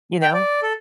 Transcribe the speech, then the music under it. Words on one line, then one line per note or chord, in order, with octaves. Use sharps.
You know?
G5
D5
A4